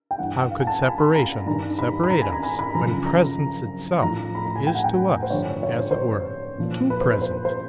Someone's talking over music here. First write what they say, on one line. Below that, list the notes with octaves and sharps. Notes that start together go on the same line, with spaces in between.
How could separation separate us, when presence itself is to us, as it were, too present?
G5
G2 E3 F#5
F5
G#5
A5
B5
B5
A#5
G2 D#3 A#5
B5
B5
A#5
G#5
A#5
B5
B5
F#2 C#3 F3 A#5
A#5
A2 F3 A#5
B5
A#5
G#5
G5
F#5
G5
C5
G2 D3 F3 C#5
C#5
C5
C5
C#5
A#2 F3
B4
C5
B4
C5
C5